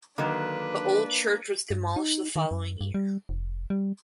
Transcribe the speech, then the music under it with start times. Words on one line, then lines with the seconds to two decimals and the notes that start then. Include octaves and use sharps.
The old church was demolished the following year.
0.18 D3 D#3 F#3 A#3 D4 B4
1.70 G2
1.96 D#4
2.36 D#3
2.51 F#2
2.81 G2
2.94 G3
3.29 F1
3.70 G3